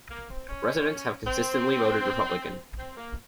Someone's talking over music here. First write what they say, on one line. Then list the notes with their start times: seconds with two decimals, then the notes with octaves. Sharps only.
Residents have consistently voted Republican.
0.11 A#3
0.30 C4
0.49 C#4
1.26 C4
2.78 C4
2.97 A#3